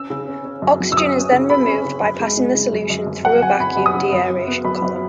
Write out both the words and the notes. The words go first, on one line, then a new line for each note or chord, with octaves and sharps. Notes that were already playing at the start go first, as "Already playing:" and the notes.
Oxygen is then removed by passing the solution through a vacuum de-aeration column.
Already playing: C#4 E6
C#3
C#4
C#4
F#2
F#3
E6
F#2 D#6
C#4
C#3
C#3 B5
C#4
C#3
F#2
G#3
G#3
C#3
F#2
F#2
F#2
F#2 F#5
F#2 G#5
F#2 B5
F#2
D#6
C#3
F#2
F#3
B3
F#2 B5
F#3